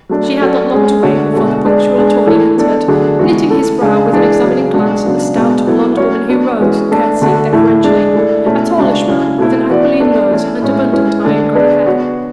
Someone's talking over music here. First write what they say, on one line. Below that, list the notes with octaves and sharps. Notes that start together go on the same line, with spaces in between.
She had not long to wait before the punctual attorney entered, knitting his brow with an examining glance at the stout blond woman who rose, curtsying deferentially,--a tallish man, with an aquiline nose and abundant iron-gray hair.
F#3 A3 D4
F#3 C#4 F#4 A4 D5
G#3 C#4 G#4
D3 A3 D4 F#4 C#5
B2 G#3 D4 F#4 A4
G#3 D4 G#4 D5
G#3 D4 G#4
E3 A3 E4 A4 C#5
B3 D4 A4 D5
D3 F#3 A3 D4 G#4
E3 G#3 B3 F#4
A3 E4 A4
C#3 G#3 D4 G#4
E3 G#3 D4 G#4
C#3 F#3 C#4 G#4
B2 G#3 D4 F#4
C#3 F#3 B3 D4
B2 G#3 B3 D4
F#3 B3 E4 A4
F#3 C#4 F#4 C#5
B3 D4 F#4
E3 G#3 C#4 F#4 B4
A3 D4 A4
D3 A3 D4 F#4
A2 E3 A3 E4
G#3 D4 G#4
A3 E4 A4 D5
B2 A3 C#4 E4 A4
C#3 G#3 D4 F#4
C#3 F#3 C#4 E4
B2 A3 E4
E3 B3 F#4 B4 D5
B3 D4 A4 D5
E3 A3 C#4 E4
A2 G#3 C#4
G#3 C#4 E4 B4
D3 A3 D4 A4
B3 D4 G#4 B4 D5
B3 F#4 C#5